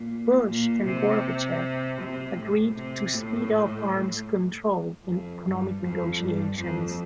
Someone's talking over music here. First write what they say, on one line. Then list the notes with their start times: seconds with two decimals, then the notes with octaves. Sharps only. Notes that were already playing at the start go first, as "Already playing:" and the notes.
Bush and Gorbachev agreed to speed up arms control and economic negotiations.
Already playing: A#2
0.48 A#2
0.86 C3
2.00 C3
2.38 A2
2.77 C3
3.14 A2
5.05 F2
5.44 G2
5.82 F2
6.20 G2
6.57 F2